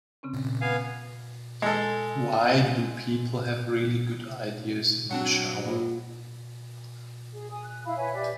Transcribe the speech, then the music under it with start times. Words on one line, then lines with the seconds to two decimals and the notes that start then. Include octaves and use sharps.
Why do people have really good ideas in the shower?
0.23 C#3 C4 C#4
0.61 B3 F5 G#5
1.62 G#3 A4
5.11 F#3 C4 D4 F#5
5.65 A2 A#3 F4
7.33 G#4
7.51 G#5 D#6
7.64 F#6
7.85 E4 F5 B5
7.97 B4 C#5 E5 G#5
8.15 G4 B4 D5 E5